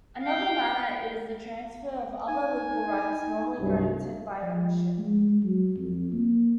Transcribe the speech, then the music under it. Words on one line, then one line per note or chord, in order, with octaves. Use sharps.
Another matter is the transfer of other legal rights normally granted by ownership.
F5 G5
D#4 G#5
C2 G2 F#3
F3
G#3
F#3
F2
A#3